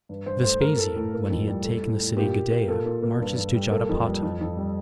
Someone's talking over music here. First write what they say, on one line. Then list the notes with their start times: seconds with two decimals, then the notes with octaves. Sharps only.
Vespasian, When He Had Taken The City Gadaea Marches To Jotapata.
0.09 G2
0.26 G2 C5
0.43 A3 C5
0.61 A3 A#4
0.78 A2 A4
0.96 A2 A4
1.13 A#3
1.30 F2
1.47 G3
1.64 A3
1.82 A2
1.99 A2
2.17 A#2 G4
2.33 A#2
2.51 A#3
2.68 A#2 A4
2.86 A#2
3.02 A#3
3.20 G2
3.37 G2
3.54 G3
3.71 A#3 A4
3.89 F2
4.06 G3
4.23 F2
4.41 F2
4.57 G3